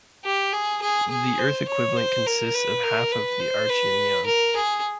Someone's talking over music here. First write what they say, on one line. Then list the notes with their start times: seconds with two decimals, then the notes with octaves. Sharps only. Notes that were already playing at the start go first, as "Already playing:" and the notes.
The Earth equivalent consists of half of the Archean eon.
0.25 G4
0.53 G#4
0.82 G#4
1.10 G#4
1.39 C5
1.68 C#5
1.97 C5
2.26 A#4
2.55 B4
2.83 A#4
3.12 B4
3.40 C5
3.69 B4
4.26 A#4
4.56 G#4